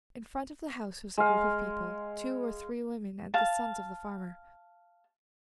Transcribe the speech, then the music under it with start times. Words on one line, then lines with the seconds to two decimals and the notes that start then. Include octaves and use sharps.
In front of the house was a group of people; two or three women and the sons of the farmer.
1.17 G#3 F5
3.34 F5 A5